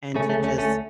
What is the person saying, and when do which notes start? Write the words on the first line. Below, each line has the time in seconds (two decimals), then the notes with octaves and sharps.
and to just
0.15 C#3 A3 C#4
0.29 A3 C#4
0.37 D2
0.44 A3 C#4
0.58 D2 A3 C#4